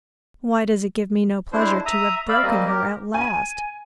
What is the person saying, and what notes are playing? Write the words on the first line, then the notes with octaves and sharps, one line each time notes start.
Why does it give me no pleasure to have broken her at last?
G#3 D4 E4 C5
E5 A#5 D#6
D5 E5 F5 B5
G3 A#3 C4 D#5
G4 A#4
G#5